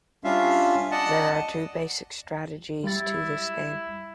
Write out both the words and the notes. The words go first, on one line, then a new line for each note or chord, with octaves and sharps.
There are two basic strategies to this game.
G3 C#4 D4 F4 E5 F5
D5 D#5 F#5 A5
G3 E4 A6